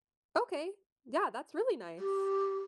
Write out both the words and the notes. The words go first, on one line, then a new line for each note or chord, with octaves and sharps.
Okay. Yeah, that's really nice.
G4